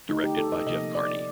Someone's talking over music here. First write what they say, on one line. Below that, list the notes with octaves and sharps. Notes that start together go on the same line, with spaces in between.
Directed by Jeff Carney.
D3 A3 D#4
G4
A4
D#5
C3 F3 A#3 D#5
D5